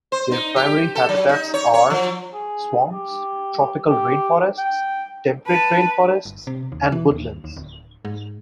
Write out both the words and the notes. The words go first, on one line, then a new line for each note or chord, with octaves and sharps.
Their primary habitats are: swamps, tropical rainforests, temperate rainforests and woodlands.
C5
D#4
G4
A4
F#3
D#4
C#5
C#5
F3
G#4
G4
G4
G5
B4 A5
G1
C3
D#2
E3
D#2
D#2
D1
G#2